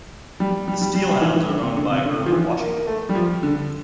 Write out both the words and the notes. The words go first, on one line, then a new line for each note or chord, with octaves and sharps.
The SteelHounds are owned by Herb Washington.
G3
G3
G3
G3
G3
E3
E3
D3
C3
D3
C3
D3
F3
E3
A#3
A3
G3
F3
D3